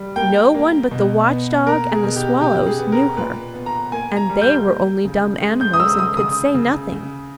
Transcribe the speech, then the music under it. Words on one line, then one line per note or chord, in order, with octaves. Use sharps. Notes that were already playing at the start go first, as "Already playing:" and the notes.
No one but the watchdog and the swallows knew her, and they were only dumb animals and could say nothing.
Already playing: G3
A#3 G5
A#3
B2
B3
A#3 A#4
G#4
B2
G4
C#3 G4
G#4
B3
A#4
A#2 B4
B3
A#5
A#3 G#5
A#5
G3
G6
A#3
C#3
G#3
G6
D#6
G#3 E6
D#6
C#3 D#6
C#3
C#3